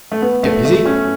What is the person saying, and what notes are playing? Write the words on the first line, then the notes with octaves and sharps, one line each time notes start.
"Get busy."
A3
B3
A3
A3
C#4